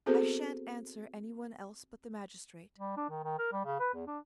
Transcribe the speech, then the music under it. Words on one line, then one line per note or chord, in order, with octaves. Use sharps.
I shan't answer any one else but the magistrate.
B3 C4 F#4 G#4 A4 C5
G3
D4
D#3
D#3
A#4
G3
C#3
B4
E2
D4